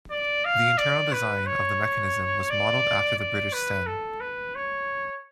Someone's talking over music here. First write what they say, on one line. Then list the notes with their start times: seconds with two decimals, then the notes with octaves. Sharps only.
The internal design of the mechanism was modeled after the British Sten.
0.11 D5
0.45 F5
0.78 D5
1.12 B4
1.46 C#5
2.50 D5
3.18 D5
3.53 B4
3.86 A4
4.20 B4
4.55 C#5